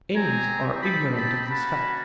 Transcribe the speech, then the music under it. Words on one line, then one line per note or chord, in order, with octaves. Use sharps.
Enemies are ignorant of this fact.
C4 D#4 G4 G#5 A#5
A5 B5
A5 B5
A#3 C#4 F#4 A5 B5